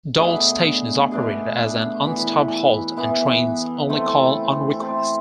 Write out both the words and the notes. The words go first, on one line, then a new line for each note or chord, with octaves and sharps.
Dduallt station is operated as an unstaffed halt and trains only call on request.
B2 A3 D4 G#4
B2 A3 D4 G#4
E3 B3 E4
E3 B3 E4
A3 C4 E4 A4
A3 C4 E4 A4